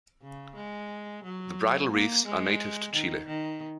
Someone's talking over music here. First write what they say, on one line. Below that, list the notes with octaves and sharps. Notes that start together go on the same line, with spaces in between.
The bridal wreaths are native to Chile.
C#3
G#3
F#3
A#3
G#3
D#3
D#3